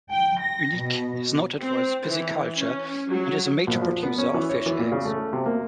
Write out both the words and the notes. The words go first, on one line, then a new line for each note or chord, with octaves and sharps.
Huningue is noted for its pisciculture and is a major producer of fish eggs.
G5
A#6
B2
C4
E3
C#4
F#3
A#1
F3
B3
C#4
E3
C#5
E3
A#2
C#3
A3
C3
A#3